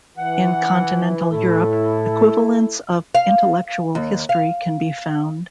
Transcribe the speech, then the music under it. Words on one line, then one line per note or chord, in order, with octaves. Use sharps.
In continental Europe, equivalents of intellectual history can be found.
E3 F#5
A2 A3 E4 A4
F5
D#2
F5